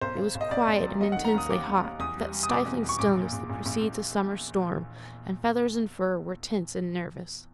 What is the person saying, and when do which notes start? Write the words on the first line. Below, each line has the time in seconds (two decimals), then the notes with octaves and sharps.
It was quiet and intensely hot, with that stifling stillness that precedes a summer storm, and feathers and fur were tense and nervous.
0.01 B1 C5
0.17 B1
0.35 B1
0.41 D#5
0.51 B1 D5
0.67 B1
0.83 F#3
1.00 D#2 D#5
1.12 D#3 F#5
1.25 A#5
1.34 D#2 D#6
1.50 D#2 D6
1.67 D#2
1.84 D#2
1.99 E2 D#6
2.16 G3
2.32 G3
2.43 D#6
2.49 B2 D6
2.66 E2
2.83 E2
2.89 C#6
2.99 A#1 D6
3.16 A#2
3.33 A#1
3.50 A#1
3.66 A#1
3.82 A#1